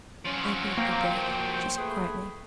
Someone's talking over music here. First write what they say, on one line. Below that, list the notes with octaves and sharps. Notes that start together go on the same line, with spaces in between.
"I will be brave," she said quietly.
F3 F#3 C#4
A#3 C5 G5
A3 G#4 B4